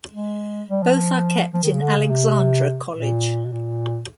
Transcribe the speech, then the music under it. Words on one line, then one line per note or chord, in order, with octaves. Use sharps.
Both are kept in Alexandra college.
G#3
G3
F3
F3
D#3
C#3
D3
C#3
C3
A#2
B2
A#2